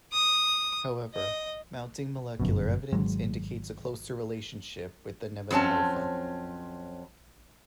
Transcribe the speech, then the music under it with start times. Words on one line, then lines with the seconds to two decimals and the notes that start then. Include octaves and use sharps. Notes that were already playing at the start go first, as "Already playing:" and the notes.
However, mounting molecular evidence indicates a closer relationship with the nematomorpha.
0.13 D#6
1.15 D#5
2.40 G1 F#2 B2
2.93 G#1 F#3 G#3
5.51 F2 F#3 C4 C#4 A5